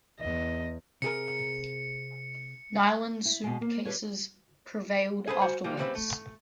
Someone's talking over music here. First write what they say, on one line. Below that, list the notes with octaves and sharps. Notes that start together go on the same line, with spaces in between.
Nylon suitcases prevailed afterwards.
E2 D#5
C3 G#4 A#4 C#7
E4
B2 G#3
A#3
G3 D4 B4 C#5
G#4 A4 B4 C5 G5 G#5
F#4 C5 G#5
E3 F3 G3 A#3
D#2 C#3 G3 C4 B4 E5
A3